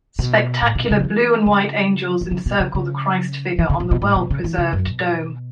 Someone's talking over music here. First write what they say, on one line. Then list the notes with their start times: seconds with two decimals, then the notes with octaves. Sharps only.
Spectacular blue and white angels encircle the Christ figure on the well-preserved dome.
0.19 B2
0.62 A2
0.75 B2
0.91 C#3
1.00 F#3
1.04 E3
1.46 C#3
2.21 E3
2.31 C#3
2.46 B2
2.60 C#3
2.75 C#3
3.59 E3
3.70 C#3
3.80 B2
3.91 B2
4.02 A2
4.16 B2
4.31 C#3
4.44 E3
4.58 C#3
4.73 F#2
4.86 B2